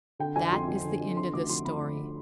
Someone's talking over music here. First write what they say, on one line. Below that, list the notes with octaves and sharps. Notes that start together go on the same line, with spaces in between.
That is the end of this story.
D3 G5
F2 G#5
F3 C6
F2
D3
F2
D3 C6
D2 D6
F3 C6
D2 B5
D3